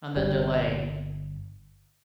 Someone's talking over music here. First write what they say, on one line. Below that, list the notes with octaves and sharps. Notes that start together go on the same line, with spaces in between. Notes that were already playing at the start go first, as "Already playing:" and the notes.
on the delay.
G1 G3